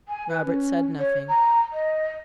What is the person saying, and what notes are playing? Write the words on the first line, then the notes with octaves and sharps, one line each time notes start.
Robert said nothing.
G#5
B4
C#4
C#5
A#5
D#5